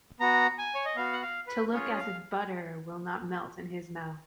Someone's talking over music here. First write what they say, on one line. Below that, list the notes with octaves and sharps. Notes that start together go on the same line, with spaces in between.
To look as if butter will not melt in his mouth.
B3 F#4 A#5
G#5
C#5
D#5
B3 F#4 F5
F#5
F5
B4
C#4 F4 G#4 C#5
F5